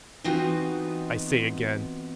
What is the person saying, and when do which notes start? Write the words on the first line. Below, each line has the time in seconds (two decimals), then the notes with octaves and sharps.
I say again.
0.24 E3 B3 C4 D#4 F4 F#4